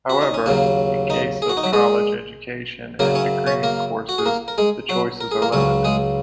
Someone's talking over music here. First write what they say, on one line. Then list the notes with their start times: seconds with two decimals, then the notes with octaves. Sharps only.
However, in case of college education and degree courses the choices are limited.
0.10 F#4
0.21 D#4
0.34 C#4
0.46 D#2 C#3 F#3 A#3
1.10 D#3 D#4
1.42 G#4
1.49 F#4
1.57 D#4
1.63 F#3 F#4
1.73 G#3 G#4
2.99 F#2 C#3 F#3 A#3 A#4
3.15 C#4 C#5
3.47 C#4 C#5
3.63 A#3 A#4
4.09 F#4
4.18 G#4
4.26 A#3 A#4
4.48 A#4
4.58 G#3 G#4
4.89 F#3 F#4
5.21 A#4
5.31 G#4
5.42 A#3 A#4
5.52 C#2 C#3 F#3 C#4 C#5
5.84 G#3 G#4